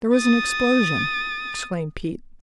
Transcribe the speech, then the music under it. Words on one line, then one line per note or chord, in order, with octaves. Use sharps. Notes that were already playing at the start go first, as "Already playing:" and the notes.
"There was an explosion!" exclaimed Pete.
D#6 A6